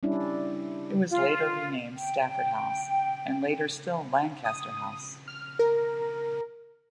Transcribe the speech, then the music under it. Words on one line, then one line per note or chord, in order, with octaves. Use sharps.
It was later renamed Stafford House, and later still Lancaster House.
G3 C#4 D4 E4
F4
G5
D#6
F6
A#4